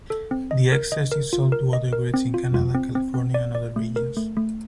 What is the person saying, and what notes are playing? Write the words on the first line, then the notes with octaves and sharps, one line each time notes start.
The excess is sold to other grids in Canada, California and other regions.
A4
C4
D#5
A#4
D#5
A#4
F4
A#4
D#5
A#4
C4
F4
F4
C4
C4
C4
D5
D5
A3
A#4
A3
A3